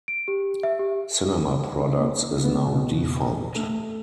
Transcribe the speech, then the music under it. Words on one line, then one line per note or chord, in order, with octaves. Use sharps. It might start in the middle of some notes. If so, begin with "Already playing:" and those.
Cinema Products is now defunct.
D7
G4
E5
G4
A#3
B3
B2
A3